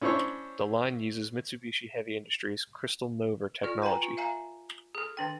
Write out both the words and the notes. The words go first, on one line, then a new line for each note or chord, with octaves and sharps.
The line uses Mitsubishi Heavy Industries "Crystal Mover" technology.
C#4 D4 E4 C5 C#5
F4 A4 D5
B4 G5 G#5 A#5
F4
E5 F5 G#5 A#5
G#4 A4
D#3 D4 G5